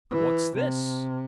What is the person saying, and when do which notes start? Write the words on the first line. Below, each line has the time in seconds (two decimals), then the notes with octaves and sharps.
"What's this?"
0.11 E3
0.56 C3